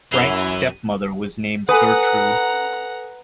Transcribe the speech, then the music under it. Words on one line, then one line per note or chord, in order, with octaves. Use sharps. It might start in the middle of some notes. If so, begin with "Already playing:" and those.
Frank's stepmother was named Gertrude.
F#2 E3 E4 C7 F7 G7
A4 B4 F#5 G#5 A#5 D#6